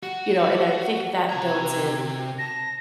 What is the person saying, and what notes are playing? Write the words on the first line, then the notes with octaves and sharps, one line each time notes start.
you know, and I think that builds in
F#4 F#5
C3 F#4 A#5 G#6
A5 A#6